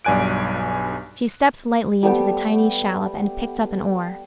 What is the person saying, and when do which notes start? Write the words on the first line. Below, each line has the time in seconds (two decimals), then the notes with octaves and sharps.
She stepped lightly into the tiny shallop and picked up an oar.
0.05 B1 G2 D5 G#5 F#6 D7
2.03 G3 A3 B3 G4